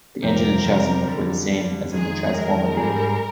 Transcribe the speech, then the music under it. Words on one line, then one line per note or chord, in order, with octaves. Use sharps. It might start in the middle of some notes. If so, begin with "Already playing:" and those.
The engine and chassis were the same as in the Trasformabile.
F2 C3 F3 C4 A#4
F2 C3 F3 C4
F2 D3 G3
F2 D3 G3
F2 D#3 G#3 G#4
F2 D#3 G#3 A#4
G#2 G3 D4 G#4